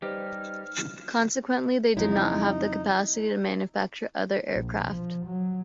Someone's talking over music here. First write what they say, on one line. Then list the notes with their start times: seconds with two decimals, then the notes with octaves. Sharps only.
Consequently, they did not have the capacity to manufacture other aircraft.
0.02 G3 D#4 G4 B4 C5 D5 F6
1.97 F2 C#3 F#3 D#4 E4
4.55 A#1
4.90 F3
5.26 F#3